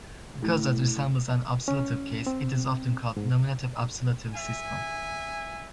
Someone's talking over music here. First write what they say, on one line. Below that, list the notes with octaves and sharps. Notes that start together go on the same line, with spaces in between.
Because that resembles an absolutive case, it is often called a nominative-absolutive system.
A2
C#4
C4
G#2
E5 G#5